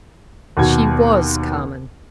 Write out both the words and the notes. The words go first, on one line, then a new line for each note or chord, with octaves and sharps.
She WAS CARMEN.
D#2 B2 F#4 G#6